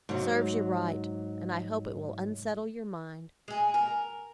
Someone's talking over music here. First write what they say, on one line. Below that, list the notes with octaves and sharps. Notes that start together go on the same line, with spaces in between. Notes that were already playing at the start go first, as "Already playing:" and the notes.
Serves you right; and I hope it will unsettle your mind.'
G#2 F#3
G#3 G#4
A#4